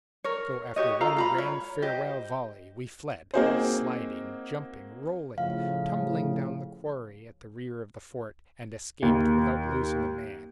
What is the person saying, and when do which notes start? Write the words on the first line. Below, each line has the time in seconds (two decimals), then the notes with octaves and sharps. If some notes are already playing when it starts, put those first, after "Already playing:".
So, after one grand farewell volley, we fled, sliding, jumping, rolling, tumbling down the quarry at the rear of the fort, and escaped without losing a man.
0.24 A#4 C#5
0.76 F#4 G4 C#5 D#5
1.00 F4 A4 F5 A#5
1.17 F4 A#5 B5
1.38 C#5
1.82 G4 C5 D#5
3.34 A#3 C4 D#4 F#4 G#4 C5
5.38 A2 C#3 F3 F5
9.02 D#2